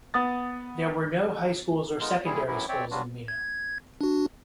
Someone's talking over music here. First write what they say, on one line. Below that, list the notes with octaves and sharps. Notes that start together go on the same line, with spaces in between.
There were no high schools or secondary schools in Mino.
B3 D#6 A6
G#3 B3 D#4 F4 A#4
A#2 G3 E4 G#4
F#2 A2 E3 F#3 E4
C4 C#5 D5 E5 G5
F#3 G3 D4 F4 F#4
G#6
D4 F#4